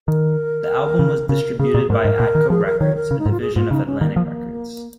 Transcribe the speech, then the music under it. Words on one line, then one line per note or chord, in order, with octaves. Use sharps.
The album was distributed by Atco Records, a division of Atlantic Records.
D#3 A#4
C#3
C#3 A#4
C#3 G#4
A#2
G#2 A#4
G#2
A#2
D#3
F3 G#4
A#4
D#3 C#5
A#4
C#3
D#4
G#2
F4
G#4
G#2 F4
C#3 D#4
C#4
D#3 A#3
F3